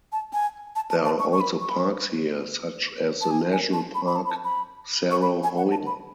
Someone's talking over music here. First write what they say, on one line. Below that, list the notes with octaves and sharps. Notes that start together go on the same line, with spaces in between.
There are also parks here, such as the national park Cerro Hoya.
A5
G#5
A5
A5
A5
C#6
C#6
B5
C#6
B5
C#6
A5
G#5
G#5
A5
B5
B5
A5
B5
A5
B5
C#6
B5
G#5
F#5
A5
B5